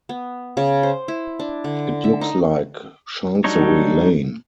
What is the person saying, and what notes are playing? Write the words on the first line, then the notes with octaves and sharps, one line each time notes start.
It looks like Chancery Lane.
B3
C#3
C5
E4
D4
D3
E5
D#4
F#3 G3 D4 D#4 C#5